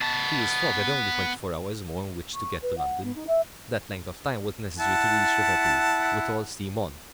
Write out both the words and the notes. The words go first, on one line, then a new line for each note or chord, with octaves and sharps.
Phileas Fogg had only twenty-four hours more in which to get to London; that length of time was necessary to reach Liverpool, with all steam on.
B3 A5
C#6
B4
F#5
B3
D#4
E5
E4 F#5 A5